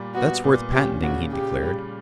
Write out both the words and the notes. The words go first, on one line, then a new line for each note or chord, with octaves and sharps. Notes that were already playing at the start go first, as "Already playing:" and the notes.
"That's worth patenting," he declared.
Already playing: A#2 G3
B3 F#4
A#2
C#4 G4
C#3 F#4
C#3 G4
G3